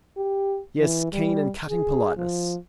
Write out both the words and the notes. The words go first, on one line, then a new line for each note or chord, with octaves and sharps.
Yes, keen and cutting politeness.
G4
E3
G3
G#4
F3